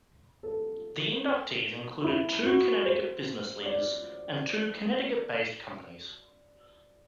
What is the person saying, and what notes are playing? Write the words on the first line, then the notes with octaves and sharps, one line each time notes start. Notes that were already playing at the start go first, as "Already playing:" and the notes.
The inductees included two Connecticut business leaders and two Connecticut-based companies.
A4
E4
F#4
C5
D5